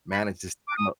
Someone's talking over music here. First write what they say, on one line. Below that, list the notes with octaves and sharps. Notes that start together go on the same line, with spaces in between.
manage this time up."
B5
D6
D#6